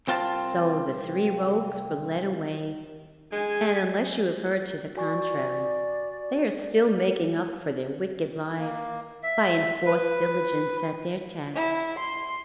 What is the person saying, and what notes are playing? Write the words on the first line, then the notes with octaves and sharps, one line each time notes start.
So the three rogues were led away, and unless you have heard to the contrary, they are still making up for their wicked lives by enforced diligence at their tasks.
C2 C4 F4 F5 A5
G#3 G#5
F#4 D5 G#5 C#6
A#3
E5
B4
E4
C6